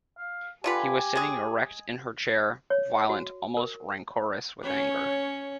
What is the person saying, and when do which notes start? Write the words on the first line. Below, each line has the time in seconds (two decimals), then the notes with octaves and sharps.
He was sitting erect in her chair, violent, almost rancorous with anger.
0.18 F5
0.64 D3 F4 G4 B4 G#5
1.15 G#3 G#4
2.70 C#5
3.09 F#4
3.57 A#4
4.63 C#4 C#5